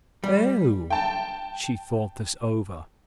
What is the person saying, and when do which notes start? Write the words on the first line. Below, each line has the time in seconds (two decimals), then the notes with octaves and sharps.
"Oh!" She thought this over.
0.24 G3
0.90 G5 A5